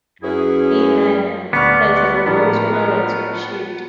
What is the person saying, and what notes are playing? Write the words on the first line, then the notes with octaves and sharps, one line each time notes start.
"B. nana" has a low tolerance for shade.
F#2 E3 C#4 E4 G#4
D2 B3 D5 C#6 F6
A2 F3 D4 A#4